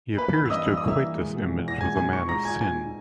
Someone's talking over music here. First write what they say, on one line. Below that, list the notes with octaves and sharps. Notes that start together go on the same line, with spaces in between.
He appears to equate this image with the Man of Sin.
A#3 B4 B5
E3 B4 B5
E6
G2 D#5 D#6
G2 E6
D#6
A#3
E5 E6
E3
G#3
B2
E2
E2 A#6
G#3 G#5 G#6
B2 G#5 G#6
D#4 C#6 C#7
G#3 A#5 A#6
A#2 G#5 G#6
A#2 G#5 G#6
D#4